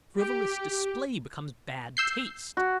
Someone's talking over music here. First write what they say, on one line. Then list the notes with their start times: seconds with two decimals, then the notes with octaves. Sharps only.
Frivolous display becomes bad taste.
0.19 G4
1.97 E6 G6 C7
2.57 F#4